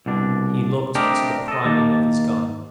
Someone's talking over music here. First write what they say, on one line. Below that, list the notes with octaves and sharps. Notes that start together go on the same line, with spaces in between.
He looked to the priming of his gun.
C2 B2 D4
A3 C4 D4 G4 A#4 D#5
A4 D#5
D#2 D#3 A#3 G4 A5